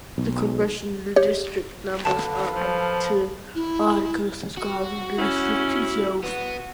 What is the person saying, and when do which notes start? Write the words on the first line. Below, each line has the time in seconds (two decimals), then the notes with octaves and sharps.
The congressional district numbers are linked to articles describing the district itself.
0.18 B1
1.16 G4 C#5
2.05 D3 A4 B4 F5 A5
2.54 F3
3.55 E4
4.57 F#4
5.18 C#4 E4
6.23 B3 F#4